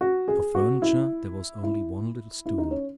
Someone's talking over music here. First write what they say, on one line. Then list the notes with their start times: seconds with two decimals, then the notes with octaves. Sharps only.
For furniture there was only one little stool.
0.01 F#4
0.28 G#4
0.55 F#4
0.82 E4
1.63 E4
2.46 E4
2.58 D#4
2.71 C#4